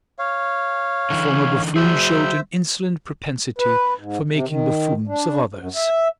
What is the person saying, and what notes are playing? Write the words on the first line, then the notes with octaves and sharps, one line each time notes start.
The former buffoon showed an insolent propensity for making buffoons of others.
C#5 F5
D3 E3
F#3 F#4 G#4 C5 E5 E6
B4
G#2
C3
D#3
D4
F#2
E5